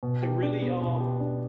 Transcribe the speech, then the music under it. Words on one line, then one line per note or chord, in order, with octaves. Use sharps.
to really, um,
B2
G4
D4
B3
B2
G4
D4